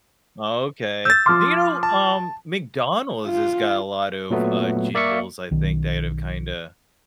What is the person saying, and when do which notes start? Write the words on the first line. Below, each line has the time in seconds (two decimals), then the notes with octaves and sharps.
Okay. Do you know, um, McDonald's has got a lot of, uh, jingles, I think, that have kinda
1.05 E6 G6 A6
1.26 F3 C6 D6 F6
1.83 A5
3.27 F4
4.30 A#2 F#3 A3 B3
4.95 A#3 D5 E5 F5 C#6 C#7
5.51 B1 D#3